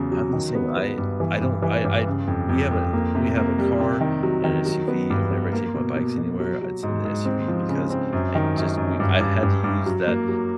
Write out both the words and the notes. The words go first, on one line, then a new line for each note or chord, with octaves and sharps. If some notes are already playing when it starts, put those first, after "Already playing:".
I'm the same, I I don't I I d we have a we have a car and SUV, and whenever I take my bikes anywhere, it's an SUV, because I just we I had to use that,
Already playing: E2 C#3 F#3
F#3
D#3
B3
B3
G2
E3
G2
E3
G2
C#3
F2
F2
F2
A#3
C3
A#3
G3
C3
D#3
F#3
D#3
F#3
B3
G2
B3
A#3
B2
B2
B2
F#3
F#3
G#2
G#2
C4
F3
C#3
C4
F#2
D#3
F#2
F#2
G2
G2
G2
G2
F#3
A#3
F#3